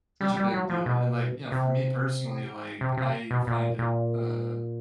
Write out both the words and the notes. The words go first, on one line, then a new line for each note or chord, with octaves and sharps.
such a big deal, and, like, you know, for me personally, like, I find it, uh,
G3
G3
F#3
F3
B2
C3
C3
C3
B2
A#2
A#2